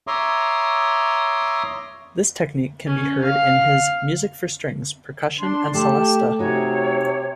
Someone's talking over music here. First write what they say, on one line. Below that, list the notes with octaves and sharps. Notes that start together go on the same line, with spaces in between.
This technique can be heard in his "Music for Strings, Percussion and Celesta".
C#5 E5 A#5 C6 D6 D#6
C#4
F5
D4 C6
A3 G4 A5
C3 D#4 F#4 C#5 G#5